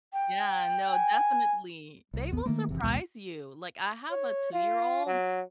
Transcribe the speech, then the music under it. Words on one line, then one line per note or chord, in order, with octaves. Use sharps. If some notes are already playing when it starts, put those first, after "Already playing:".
Yeah, no, definitely. They will surprise you. Like, I have a two-year-old,
G5
G#5
C2
G#1 D#2 B3
D#3 A3 A#3
F#1 C3 E3
A1 D2 B2 G#3
C#5
F4
F#3